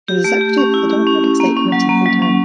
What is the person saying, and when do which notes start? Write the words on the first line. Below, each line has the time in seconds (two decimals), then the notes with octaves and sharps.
He was the secretary of the Democratic State committee three times.
0.08 G4
0.24 A3
0.41 G4
0.58 C#4
0.74 E4
0.91 G4
1.07 C#4
1.24 C#4
1.40 A#3
1.57 C#4
1.72 F#3
1.89 A#3
2.06 F#3
2.22 C#4